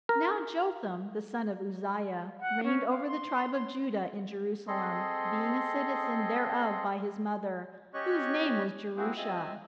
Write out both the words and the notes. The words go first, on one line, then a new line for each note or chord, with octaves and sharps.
Now Jotham the son of Uzziah reigned over the tribe of Judah in Jerusalem, being a citizen thereof by his mother, whose name was Jerusha.
A#4
F#5
C#4
F5
C6
C6
C4 G#4 A4 D#5 C6
C#4 G4 C#5 D#5 C#6 F#6
A#3 C4 E4 F#4 G#4 C5
C4 F4 D#5 E5 G#5